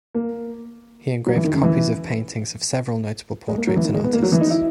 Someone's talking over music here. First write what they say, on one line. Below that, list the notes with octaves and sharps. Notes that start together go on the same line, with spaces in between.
He engraved copies of paintings of several notable portraits and artists.
A#3
F#3
E3
D#3
C#3
E3
G#3
A#3
F#3
E3
D#3
G#3
B3
A#3
F#3
E3
D#4
E4